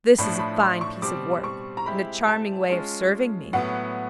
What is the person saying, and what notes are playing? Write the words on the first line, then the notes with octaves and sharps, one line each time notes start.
This is a fine piece of work, and a charming way of serving me!
A2 F3 A3 D4 B5
B5
C6
C#6
B2 G3 C4 D6
C#6
A#5
G#3 C4 E4 G4 B5
A5
G#3 C#4 F4
A2 F#3 B3 F#5